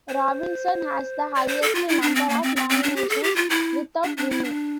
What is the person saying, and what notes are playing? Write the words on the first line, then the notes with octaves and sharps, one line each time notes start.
Robinson has the highest number of nominations without winning.
C5
D5
C5
A4
F4
E4
D4
C4
A#3
C4
C4
C4
D4
G4
A4
G4
F4
E4
D4
D4
E4
D4